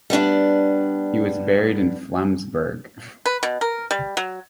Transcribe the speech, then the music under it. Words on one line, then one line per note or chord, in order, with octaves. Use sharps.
He was buried in Flensburg.
G3 B3 D4 D5
B4
B2
A#4
G3
F#3